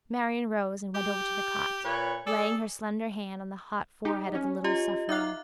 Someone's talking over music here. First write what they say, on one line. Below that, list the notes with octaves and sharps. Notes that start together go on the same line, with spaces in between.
Marian rose and went over to the cot, laying her slender hand on the hot forehead of the little sufferer.
G4
A#2 B4 C#5
G#4 A4 D5
D#4 G4
C#4
F4 G4 D#5
D#4 E5 F5 D6 F#6